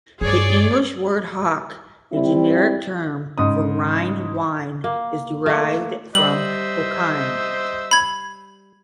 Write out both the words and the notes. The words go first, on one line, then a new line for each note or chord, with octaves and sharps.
The English word "hock", a generic term for Rhine wine, is derived from Hochheim.
G2 G#4 C#5 D5
G3 C4 E4
G#2 C#3 D#6
A#3
A3 A#3
G3 C5 D#5 E5 F#7
B5 G#6